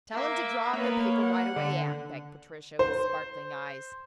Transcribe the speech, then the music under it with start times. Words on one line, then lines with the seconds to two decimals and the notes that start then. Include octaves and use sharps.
"Tell him to draw up the paper right away, aunt!" begged Patricia, with sparkling eyes.
0.13 A#3 E5
0.73 A#3 B3 C#5
1.21 F#5
1.56 D3
2.79 C5